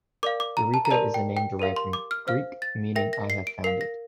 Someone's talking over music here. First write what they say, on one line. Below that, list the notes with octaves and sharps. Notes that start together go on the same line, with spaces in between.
Eureka is a name derived from Greek, meaning "I have found it".
A#4 D5 F5 D6
D6
A#5
A5
A#5
G4 A#4 D5 A5
G5
G5
G4 A#4 F5
C6
D6
F6
C5 F5 F6
A6
A#4 E5 G5 A#6
A#6
C7
D7
A#4 F5 C7
A#6